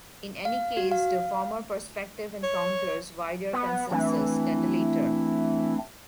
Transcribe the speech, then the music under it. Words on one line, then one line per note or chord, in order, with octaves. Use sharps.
In any case, the former perspective encounters wider consensus than the latter.
F5
F#4
F5
C#5
B3
E3 A3 C4 D4